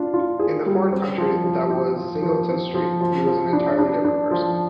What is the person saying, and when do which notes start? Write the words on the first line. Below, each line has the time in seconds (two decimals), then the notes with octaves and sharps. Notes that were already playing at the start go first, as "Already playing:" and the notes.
In the foreign country that was Singleton Street he was an entirely different person.
Already playing: D4 F4
0.14 F4
0.39 G#4
0.66 G3
0.92 C4
1.18 F3
1.44 F3
1.70 G4
1.96 F3
2.22 F3
2.49 C4
2.74 F3
3.01 F3
3.27 F3
3.53 D4
3.79 D4
4.05 D4
4.31 F3